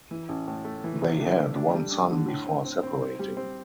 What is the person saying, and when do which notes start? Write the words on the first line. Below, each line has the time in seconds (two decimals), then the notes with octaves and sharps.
They had one son before separating.
0.11 E3
0.29 A1
0.48 A2
0.65 A3
0.84 E3
1.02 C3
1.20 D4
1.38 A3
1.56 D4
1.74 G3
1.92 D4
2.11 D3
2.28 A2
2.47 C4
2.64 C4
2.83 C4
3.01 C4
3.19 G3
3.37 C4